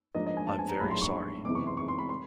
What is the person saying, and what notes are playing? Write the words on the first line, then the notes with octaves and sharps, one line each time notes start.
I'm very sorry.
G#2 F3 A#3 D4 D#5
D#5
G#5
A5
G#5
A#5
A#1 A2 F#3 A#3 D4 B5
C6
C#6
F#1 E2 C3 E3 D6
C#6
C6
C#6
C6
B5
C6